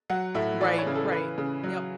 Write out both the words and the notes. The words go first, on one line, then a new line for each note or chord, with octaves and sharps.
Right, right. Yep.
F#3 F#5
A2 E5
E3 D5
C#5
C#3
A4
E3 B4
C#3
F#3